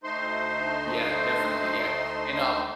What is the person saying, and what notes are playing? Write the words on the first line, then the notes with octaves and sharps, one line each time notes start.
Yeah, definitely, yeah, and, um
D2 A3 D#4 C5 C6